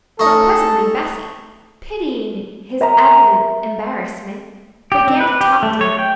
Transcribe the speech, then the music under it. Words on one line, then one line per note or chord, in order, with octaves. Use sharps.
But presently Bessy, pitying his evident embarrassment, began to talk to him.
A3 D#4 A4
A#4 E5 A#5
G4
C4
B4
G4
A3
C#5
G5